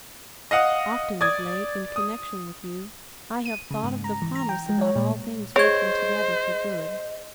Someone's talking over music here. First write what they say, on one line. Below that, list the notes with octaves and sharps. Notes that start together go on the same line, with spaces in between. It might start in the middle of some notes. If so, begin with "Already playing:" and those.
Often of late, in connection with you, I have thought of the promise about all things working together for good.
D#5 F5 F#5 D#6
D5 D#6 G#6
D#6
D#7
C#3
G#2
A#5
E3
A#5
G5
G#3
C#5
A#2
G#4 C5 C#5 D#5 G#6